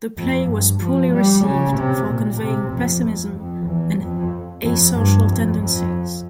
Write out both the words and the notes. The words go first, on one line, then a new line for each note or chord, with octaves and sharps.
The play was poorly received for conveying pessimism and asocial tendencies.
F2
G2
F3
G3
C#3
C3
A#2
C3
F2
F2
F2
E2
F2
F2
G2
F2
F2